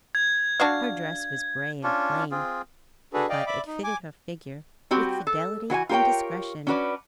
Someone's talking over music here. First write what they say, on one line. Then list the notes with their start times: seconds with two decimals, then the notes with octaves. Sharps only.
Her dress was grey and plain, but it fitted her figure with fidelity and discretion.
0.15 G#6
0.60 D4 F#4 F5
1.83 C#4 D4 F4
2.31 C4 F4 G#4
3.13 D4 F#4 G#4 A4 B4
3.29 D5 D#5 F5 G5
3.47 D5 E5 B5 D6
3.67 D#4
3.84 G#5 D6
4.91 G3 C4 F#4 G4
5.27 A4
5.70 E3 F#4 C#5 G#5
5.89 F4 G4 A#4 C#5 G5
6.67 C#4 D4 F#4 B4 D5